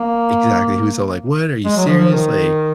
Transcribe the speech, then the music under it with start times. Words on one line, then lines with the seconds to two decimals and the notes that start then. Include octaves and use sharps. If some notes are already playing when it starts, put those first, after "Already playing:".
Exactly he was all, like, "What? Are you serious"? Like,
Already playing: A#3
1.65 G#3
1.76 F#3
1.88 F3
1.99 F3
2.10 D#3